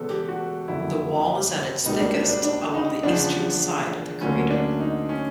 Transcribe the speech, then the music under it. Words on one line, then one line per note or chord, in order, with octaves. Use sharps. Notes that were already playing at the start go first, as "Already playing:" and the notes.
The wall is at its thickest along the eastern side of the crater.
Already playing: E1 E2 C#3 A4 B4
G4
F#4
F#1 F2 D3 F#3 E4
C#2 B2 G3 A#3 D#4
D4
D4
D4
D4
D#4
E2 C#3 F3 D4
D2 D3 F#3 A#3 C#4
D4
D#4
C#4